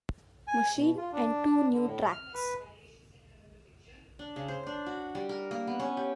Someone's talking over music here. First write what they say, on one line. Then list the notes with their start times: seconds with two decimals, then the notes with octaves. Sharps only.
Machine, and two new tracks.
0.47 G#5
0.76 B2
0.97 F4
1.12 D4
1.73 D3
1.86 A2
2.12 F6
2.34 B4
4.19 D4
4.36 C#3
4.48 C5
4.67 D4
4.86 F#4
5.15 G3
5.29 A#4
5.51 A#3
5.67 B3
5.80 C#4
5.97 G4